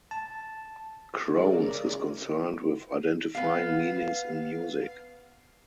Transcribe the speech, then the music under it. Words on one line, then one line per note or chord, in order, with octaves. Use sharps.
Krones is concerned with identifying meanings in music.
A5
C#3 G#3 A#4 D5
B3 F5